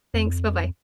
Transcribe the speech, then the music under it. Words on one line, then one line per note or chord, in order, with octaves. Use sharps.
Thanks, bye-bye.
F2